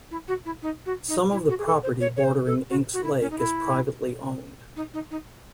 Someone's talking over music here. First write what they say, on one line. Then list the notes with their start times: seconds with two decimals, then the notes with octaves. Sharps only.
Some of the property bordering Inks Lake is privately owned.
0.11 E4
0.27 F#4
0.45 E4
0.62 D#4
0.85 F#4
1.08 D#4
1.32 E4
1.49 F#4
1.58 G#4
1.66 A4
1.83 C5
2.00 C#5
2.16 C#5
2.23 C5
2.46 A4
2.69 F#4
2.93 F#4
3.03 E4
3.21 C#4
3.30 D#4
3.38 E4
4.76 D#4
4.93 D#4
5.11 D#4